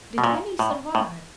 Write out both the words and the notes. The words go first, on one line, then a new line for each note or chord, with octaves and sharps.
Did any survive?
B2
A#2
A2
A2